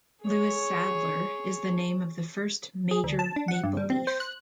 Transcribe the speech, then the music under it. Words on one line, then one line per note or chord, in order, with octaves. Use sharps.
Louis Sadler is the name of the first Major Mapleleaf.
G#4 C#5
G#4
D2
A5
D4
F#5
G2
G3
C4
C5
F#6